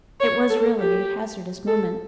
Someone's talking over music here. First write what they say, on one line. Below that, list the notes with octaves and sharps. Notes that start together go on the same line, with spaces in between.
It was really a hazardous moment.
C#5
A4
G4
A4